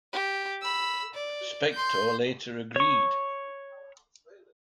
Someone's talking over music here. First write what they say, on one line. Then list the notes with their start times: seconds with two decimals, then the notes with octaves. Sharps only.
Spector later agreed.
0.13 G4
0.62 B5 E6
1.15 D5
1.72 C6 G6
2.76 C#5 C#6